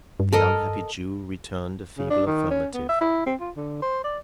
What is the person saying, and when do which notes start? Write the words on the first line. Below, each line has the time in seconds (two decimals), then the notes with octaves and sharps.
The unhappy Jew returned a feeble affirmative.
0.20 G2
0.33 A4 A#4 D#5
1.97 C#3
2.10 D4
2.26 D#3
2.51 C#4
2.73 B3
2.89 E5
3.01 E4
3.26 C4
3.40 F4
3.56 D3
3.82 C5
4.04 D5